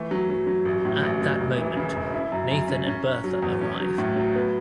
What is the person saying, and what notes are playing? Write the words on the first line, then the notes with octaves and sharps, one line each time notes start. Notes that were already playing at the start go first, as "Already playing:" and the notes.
At that moment, Nathan and Bertha arrive.
Already playing: E3 A3
F#3
F#3
F#3
A1
A2
A1
A1
E1
E3
C#3
E1
E4
F#2
F#2
C#4
C#4
C#4
F#3
E2
C#4
F#3
A2
F#3
B3